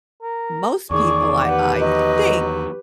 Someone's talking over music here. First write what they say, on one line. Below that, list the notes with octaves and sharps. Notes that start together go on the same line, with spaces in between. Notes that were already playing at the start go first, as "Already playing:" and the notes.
most people I I think
A#4
E2 D#3 G#4 D5 C#6
G4 B4 F#5
F#3 D#5